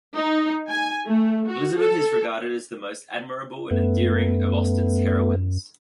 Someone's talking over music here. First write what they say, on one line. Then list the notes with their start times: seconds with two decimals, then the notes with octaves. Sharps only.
Elizabeth is regarded as the most admirable and endearing of Austen's heroines.
0.16 D#4
0.69 G#5
1.05 A3
1.48 F#4
1.77 A4
3.71 F#2 A3 B3